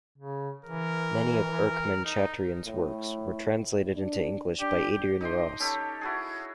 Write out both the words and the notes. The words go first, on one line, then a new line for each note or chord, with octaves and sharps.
Many of Erckmann-Chatrian's works were translated into English by Adrian Ross.
C#3
E3 A#4
D#4
A2
D4
D4 G4
D#4 D#5 G5 C6
C#4 G4 A4
E4 F#4 G#4